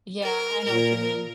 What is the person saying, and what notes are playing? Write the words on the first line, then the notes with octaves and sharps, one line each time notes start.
Yeah, I know what you mean,
A#4
A#2 A#4